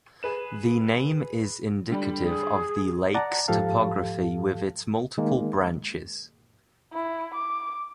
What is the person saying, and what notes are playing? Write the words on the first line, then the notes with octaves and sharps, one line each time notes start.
The name is indicative of the lake's topography with its multiple branches.
G#4 B4 E7
D3 G3 B5
G#4
D5 F#5 A5 A#5
G#2 F3 G4 A4 F5 A5
D#3 G#3 A#3
E4
D6